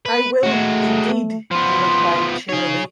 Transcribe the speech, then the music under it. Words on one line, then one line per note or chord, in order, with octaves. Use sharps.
"I will, indeed," he replied cheerily.
B4
G#3 A3 F#4
F3 B3 C6
D#4 G#4 C#5